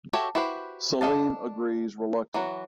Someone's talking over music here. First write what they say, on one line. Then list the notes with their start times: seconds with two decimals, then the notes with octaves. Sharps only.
Saleem agrees reluctantly.
0.13 F#4 G4 A4 C#5 E5
0.35 E4 F#4 G4 B4 C5
1.01 D4 A4 D#5 F5 A5
2.34 E3 F#3 F#4